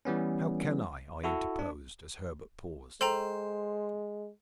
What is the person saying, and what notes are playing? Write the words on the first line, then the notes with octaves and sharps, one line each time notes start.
"How can I?" I interposed, as Herbert paused.
E3 G3 B3 C#4
E4 F#4 A4
D4
G#3 A4 C5 G5 A#5